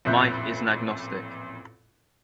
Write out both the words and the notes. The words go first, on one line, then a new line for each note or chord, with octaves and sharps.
Mike is an agnostic.
A1 F2 A#2 E5 F#6 G6